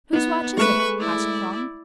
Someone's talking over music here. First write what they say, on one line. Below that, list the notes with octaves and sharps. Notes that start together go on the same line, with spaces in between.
"Whose watch is it?" asked Thong.
B3 D#4
G#3 A3 B4 C#6 E7
E4 D5